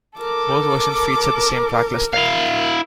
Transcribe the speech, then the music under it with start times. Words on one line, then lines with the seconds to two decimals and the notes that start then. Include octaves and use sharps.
Both versions featured the same track listing.
0.19 A4 A#4 D6
2.13 E4 F5